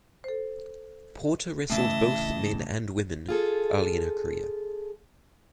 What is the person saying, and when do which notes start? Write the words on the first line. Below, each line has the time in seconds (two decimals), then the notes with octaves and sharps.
Porter wrestled both men and women early in her career.
0.24 A4 C5
1.70 A2 C#3 E3 A3 D#5 E5 A5
3.29 F4 G#4 A4